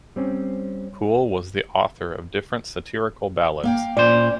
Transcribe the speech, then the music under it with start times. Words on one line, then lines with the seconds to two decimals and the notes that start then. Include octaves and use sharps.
Poole was the author of different satirical ballads.
0.16 G3 C4 C#4
3.63 A#3 F5 G5
3.97 A#2 C#4 C5 D5